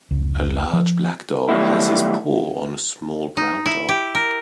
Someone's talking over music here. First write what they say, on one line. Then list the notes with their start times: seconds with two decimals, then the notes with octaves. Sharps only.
A large black dog has his paw on a small brown dog.
0.11 F1 C#2
0.73 F3
1.49 D#3 F#3 G3 A3 B3 E4
3.37 D#4
3.66 E4
3.89 G4
4.15 A#4